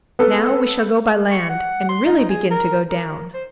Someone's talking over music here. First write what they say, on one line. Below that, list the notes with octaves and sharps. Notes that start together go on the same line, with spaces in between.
Now we shall go by land, and really begin to go down!
B3 A4
C#6
F#5
C6
D#4
G#4
A#4
A#4
C5